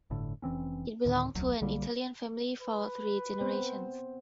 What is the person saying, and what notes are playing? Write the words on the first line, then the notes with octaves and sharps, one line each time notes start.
It belonged to an Italian family for three generations.
G1 A2 D3
F1 E3 C4 C#4
D2 A2 D3 D#3
E1 C#2 F#3 A3
B1 D3 G3 A#3
B4
B3 C4 C5